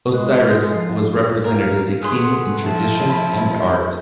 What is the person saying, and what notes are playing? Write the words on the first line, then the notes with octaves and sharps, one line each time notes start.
Osiris was represented as a king in tradition and art.
G#3 C6 F#6
F3 A4 C7
A#4 F5
A3 G#4 B4 F#5 C6
F3 E4
B5